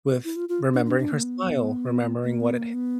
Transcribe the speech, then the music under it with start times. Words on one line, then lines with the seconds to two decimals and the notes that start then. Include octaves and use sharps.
with remembering her smile, remembering what it
0.25 E4
0.36 F4
0.49 F4
0.74 D4
0.86 D4
0.99 D4
1.12 A#3
1.24 B3
2.23 A#3
2.40 B3
2.57 A#3
2.74 B3